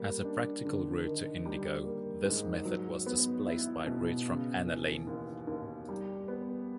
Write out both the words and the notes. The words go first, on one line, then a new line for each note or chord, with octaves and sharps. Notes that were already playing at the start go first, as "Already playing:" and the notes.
As a practical route to indigo, this method was displaced by routes from aniline.
Already playing: G3 A#3
D4
D3
D#3
G3
A#3
G#2
F#3
B3
E4
B2
C#3
E3
D#2
D#2
G3
B3